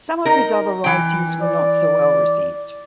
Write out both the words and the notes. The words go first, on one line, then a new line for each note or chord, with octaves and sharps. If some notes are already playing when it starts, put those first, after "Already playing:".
Some of his other writings were not so well received.
D#4 A#4
E3 G5
D5